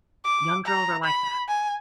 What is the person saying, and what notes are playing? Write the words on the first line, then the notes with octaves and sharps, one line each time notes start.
Young girls are like that.
D6
A#5
B5
G#5